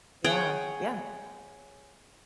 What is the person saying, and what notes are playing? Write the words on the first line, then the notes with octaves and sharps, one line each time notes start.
Yeah. Yeah.
G#4 C#5 F#5 G5